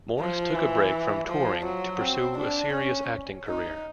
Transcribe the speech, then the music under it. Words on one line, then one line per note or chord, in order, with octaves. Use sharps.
Morris took a break from touring to pursue a serious acting career.
F3
E3
F3
F#3
C4
D4
C#4
D#4